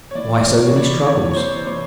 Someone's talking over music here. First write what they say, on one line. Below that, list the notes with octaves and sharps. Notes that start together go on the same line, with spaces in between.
Why so many struggles?
C#5
E3 D5
D5
C3 C#5
C#5
E3 D5
C3 C#5
C#5
E3 C5
E3 C5